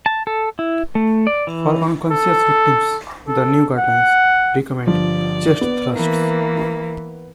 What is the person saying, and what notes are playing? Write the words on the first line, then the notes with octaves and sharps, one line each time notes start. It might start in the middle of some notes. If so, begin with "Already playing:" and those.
For unconscious victims, the new guidelines recommend chest thrusts.
A5
A4
E4
A3
D5
E3
A4
A4
F#5
G1 F3 D5
B3
E3 A#3